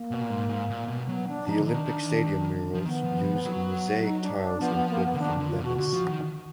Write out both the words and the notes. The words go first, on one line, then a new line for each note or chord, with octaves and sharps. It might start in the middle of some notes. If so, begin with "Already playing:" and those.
The Olympic Stadium murals use mosaic tiles imported from Venice.
Already playing: A#3
B2
A#2
G#2
G#2
A#2
B2
F#3 B3
D4
F3 D#4
D3
D#3 D4
F3
D#3 B3
F3
F3
F3
F#3
D#4
D4
D4
F3 B3
B3
A#3
B3
D3
D#3 D4
D3
F4
B2
F#4
D3 F#4
F3
D#3